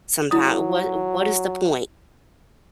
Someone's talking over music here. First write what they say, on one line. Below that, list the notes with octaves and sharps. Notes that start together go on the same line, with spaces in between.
sometimes. What what is the point?
F#3 E4 D#6